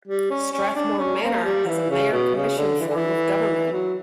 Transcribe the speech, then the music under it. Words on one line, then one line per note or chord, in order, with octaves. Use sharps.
Strathmoor Manor has a mayor-commission form of government.
G3
C#4
C#4
D4
C#4
A#3
G3
E3
C#3
B2
C#3
D3
E3
D3
E3
F#3